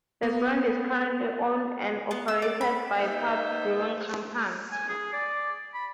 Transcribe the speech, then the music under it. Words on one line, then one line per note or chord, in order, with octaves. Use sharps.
The brand is currently owned and operated by Pabst Brewing Company.
B3
B3
E6
D5
B5
A#3 B3 D#4 C5 E5
G#5
G#4
D5
B5